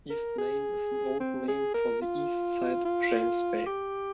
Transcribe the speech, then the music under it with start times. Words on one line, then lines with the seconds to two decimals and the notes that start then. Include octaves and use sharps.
'East Main' is an old name for the east side of James Bay.
0.10 A#4
0.38 G#4
1.20 C4
1.48 G#4
1.74 A#4
2.02 F4
2.85 F4
3.66 G4